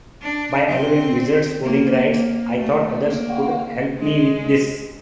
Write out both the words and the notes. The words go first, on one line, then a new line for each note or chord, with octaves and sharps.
By allowing wizards coding rights, I thought others could help me with this.
D4
C4
A#3
A#3
A3
A#3
G#3